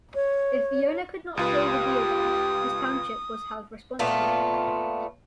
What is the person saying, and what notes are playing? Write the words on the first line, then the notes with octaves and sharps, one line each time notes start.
If the owner could not pay the deodand, his township was held responsible.
C#5
C#2 F4 G4 B4 D#6
A#2 A3 B3 F4